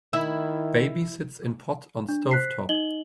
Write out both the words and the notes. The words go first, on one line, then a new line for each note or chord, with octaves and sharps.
Baby sits in pot on stove top.
D#3 E4 E5
D4
C5 F#6 B6 C7
D#4 D#5 F#7 G7